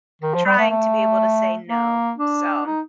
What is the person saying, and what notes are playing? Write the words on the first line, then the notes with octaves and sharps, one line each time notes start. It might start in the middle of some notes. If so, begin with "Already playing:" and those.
trying to be able to say no, so
D#3
F3
G3
A3
A3
A#3
D4
D#4